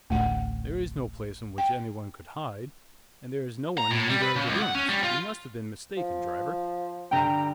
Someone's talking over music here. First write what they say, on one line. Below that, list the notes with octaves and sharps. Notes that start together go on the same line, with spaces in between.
'There is no place in which anyone could hide, and there is no one in either of the rooms,--you must have been mistaken, driver.'
D1 A1 A3 F#5
G5
A#5
A2
G3
B4
C#3
C#2
F#5
C#4
G3
F4
F3
G2 D3 G5 A#5